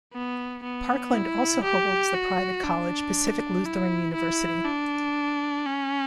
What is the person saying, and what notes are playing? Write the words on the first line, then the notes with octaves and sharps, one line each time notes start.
Parkland also holds the private college Pacific Lutheran University.
B3
B3
E4
G4
F#4
D4
E4
E4
D4
C#4